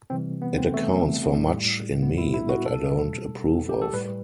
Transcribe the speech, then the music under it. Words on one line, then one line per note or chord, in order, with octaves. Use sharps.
It accounts for much in me that I don't approve of.
C3 E3 G3 C4
B3
C4
A3
A2 G3
B3
E4
E4
F#4
B2 G3 A4
G4
A4
A2 G3 B4